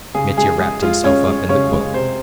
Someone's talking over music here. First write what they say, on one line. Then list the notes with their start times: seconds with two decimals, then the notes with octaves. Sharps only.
Mitya wrapped himself up in the quilt.
0.15 C#3 G#4 G#5
0.37 G#3 G#4 G#5
0.59 G#3 G#4 G#5
0.82 G#3 F4 F5
1.04 G#3 C#4 C#5
1.27 G#3
1.49 C#3 C#4 C#5
1.71 G#3
1.94 C3 C5